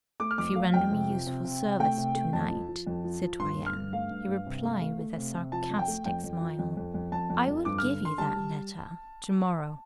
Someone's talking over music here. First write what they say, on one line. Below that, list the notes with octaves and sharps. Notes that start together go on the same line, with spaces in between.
"If you render me useful service to-night, citoyenne," he replied with a sarcastic smile, "I will give you that letter . . . to-morrow."
A3 D6
F6
F2 D6
A3 F5
F2 G5
C3
F3
C3
C3
C3
A3 G5
C3
A3
F2 A5
F3
F3
F2
F3
F3
G2 C6
D3
F6
G2
A3 F5
G2
G2
C3
A3
A3
A3
C3
C3
F3 A5
F2
G5
A3
F2 G5
F2
F3
F2
F2
F2
F2 A5
F2
F2
G2 D6
D3 F6
D3 C6
G3 A5
G3